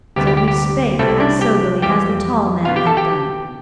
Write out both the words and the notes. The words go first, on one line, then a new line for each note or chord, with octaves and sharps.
So he spake as soberly as the tall man had done.
D2 C3 G3 B3 G4
G4
G4
G4
C2 B2 G3 A3 C4 E4 A4
D4 D5
G4 G5
F2 E3 G3 G4 G5
B2 B3 F4 F5
G4 G5
A4 A5
G4 G5